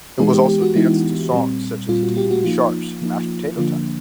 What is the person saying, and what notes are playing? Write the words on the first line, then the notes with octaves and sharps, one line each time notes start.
It was also danced to songs such as Dee Dee Sharp's "Mashed Potato Time".
E3 G#3 B3 D#4 G#4
G4
G4
F#4
E3 G#3 B3 D#4 E4
A#2 G3 C4
A#2 G3 C4 F4
F#4
G4
F#4
F3 A#3 D#4 F4
F3 A#3 D#4
D3 F3 A#3 D4 F4